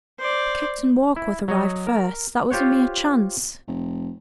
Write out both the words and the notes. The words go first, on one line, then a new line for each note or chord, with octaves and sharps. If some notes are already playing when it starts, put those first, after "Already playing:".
"Captain Warkworth arrived first; that was a mere chance."
C5 D5
E4
F#3 C#5 D#5
A#4
F4 G4 C5 C#5 F#5
F1